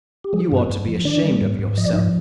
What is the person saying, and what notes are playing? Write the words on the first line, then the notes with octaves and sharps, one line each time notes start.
You ought to be ashamed of yourself.
G4
F3 G#3 G#4
G2
B3 B4
G2
F3
D#3 D4 D5
G3
G#2
G#2
F3 D#5
D5
G#2 D#4 D#5